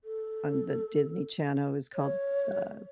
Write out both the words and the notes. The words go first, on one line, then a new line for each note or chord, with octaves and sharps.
on the Disney Channel, it was called, uh
A4
C#5